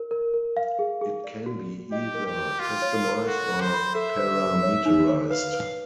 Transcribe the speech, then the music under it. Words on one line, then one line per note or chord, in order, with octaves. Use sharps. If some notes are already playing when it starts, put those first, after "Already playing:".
It can be either customised or parameterised.
Already playing: A#4
A#4
A#4
F5
G#4
G#4
D5
F#4
F#4
G4 D#5
A#4
G4
F#4
F4 F#4
C#5
A#4
F#4 A4
A4
C5
B5
A4 E5
C5
C5
C#5
D#4
C#5
B4 F5
B4